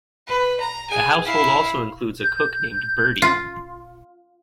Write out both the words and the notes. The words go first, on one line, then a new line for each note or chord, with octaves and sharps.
The household also includes a cook named Birdie.
B4
A#5
G#4 G#5
E4 F5
G6
F4